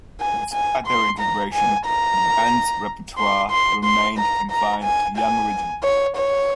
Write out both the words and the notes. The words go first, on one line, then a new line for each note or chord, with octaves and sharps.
Despite their integration, the band's repertoire remained confined to Young originals.
G#5
G#5
C6
A#5
G#5
A#5
C6
C6
C6
A#5
A#5
G#5
G#5
C#5
C#5